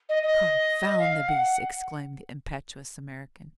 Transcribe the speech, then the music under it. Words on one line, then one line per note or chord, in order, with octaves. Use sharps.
"Confound the beasts!" exclaimed the impetuous American.
D#5
D#5
F5
F#5